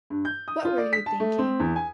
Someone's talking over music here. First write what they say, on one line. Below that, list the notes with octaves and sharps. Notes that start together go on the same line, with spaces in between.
What were you thinking?
G2
G6
D#6
F4
D5
B6
A5
A3
C4
E2
G#5